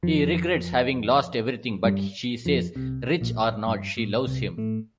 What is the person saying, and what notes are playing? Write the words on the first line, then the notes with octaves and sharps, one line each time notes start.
He regrets having lost everything, but she says, rich or not, she loves him.
F2 F3
G2 G3
F2 F3
C2 C3
A#1 A#2
G2
A2
C2 C3
A2 A3